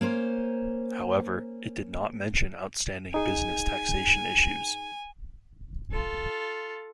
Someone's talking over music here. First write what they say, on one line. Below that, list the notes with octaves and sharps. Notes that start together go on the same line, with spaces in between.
However, it did not mention outstanding business taxation issues.
A#3 C#4 C5
D#4 G#4 G#5
F4 A4